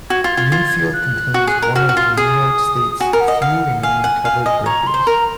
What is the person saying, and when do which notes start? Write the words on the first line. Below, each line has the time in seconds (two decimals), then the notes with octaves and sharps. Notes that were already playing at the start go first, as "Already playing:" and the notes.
Newfield contains one of New York State's few remaining covered bridges.
0.10 F#4 G#6
0.24 F4
0.37 F4
0.52 F4
0.93 F#6
1.34 F#4
1.47 G#4
1.62 A#4
1.76 F#4 F6
1.89 F#4
1.97 F4
2.17 G#4 D#6
3.00 F#4 G#5
3.13 A#4
3.21 F#5
3.28 D#5
3.42 F5 F#5
3.83 F5 G#5
4.04 F#5
4.25 F5
4.46 D#5
4.66 C#5 A#5
4.87 C6
4.94 C5
5.07 A#4 A#5